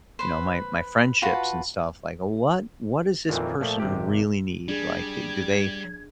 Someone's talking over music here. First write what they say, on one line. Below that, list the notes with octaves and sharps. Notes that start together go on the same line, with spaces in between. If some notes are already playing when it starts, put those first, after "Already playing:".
you know, my my friendships and stuff, like, "What what does this person really need?" Like, do they
B4 C5
F4 F#4 B4 A5
F2 A#2 D#3 E3
A#2 F3 A3
G#1 C3 G4
G3 D4 G#4 G#6